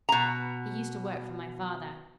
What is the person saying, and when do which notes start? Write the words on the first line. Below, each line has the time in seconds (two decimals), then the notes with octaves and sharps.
He used to work for my father.
0.09 B2 A#5